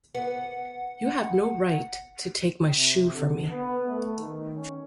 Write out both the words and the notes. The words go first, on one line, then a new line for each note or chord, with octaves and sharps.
You have no right to take my shoe from me.
B3 F#5
C3
D3
B3
A3
D#3
C#4